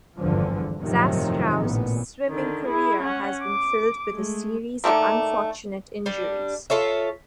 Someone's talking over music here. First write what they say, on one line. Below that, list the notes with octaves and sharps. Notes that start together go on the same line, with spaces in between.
Zastrow's swimming career has been filled with a series of unfortunate injuries.
G#1 E2 G2 D3 F3
F2 A2 C3 D#3 F3 F#3
A1 A#2 B3
D3 D#3
E4 G#4
C#4 F#5
D6
G#3 A3
D3 D#3 A3 A#3
G3 D4
F4 A4 C#5 E5